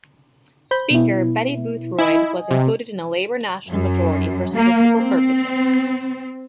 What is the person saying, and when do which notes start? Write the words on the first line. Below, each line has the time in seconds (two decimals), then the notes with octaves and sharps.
Speaker Betty Boothroyd was included in a Labour notional majority for statistical purposes.
0.71 C5 B5 G6
0.90 B2 B3 E4
1.99 E4 D#5 G#5
2.51 C3
3.69 F#2
4.54 A#3
4.96 C4